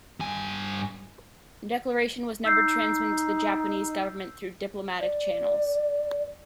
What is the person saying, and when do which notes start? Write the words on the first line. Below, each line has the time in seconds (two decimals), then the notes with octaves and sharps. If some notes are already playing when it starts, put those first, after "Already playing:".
The Declaration was never transmitted to the Japanese government through diplomatic channels.
0.20 G2 G#5
2.45 D#4 E6 G6 C7
5.00 D5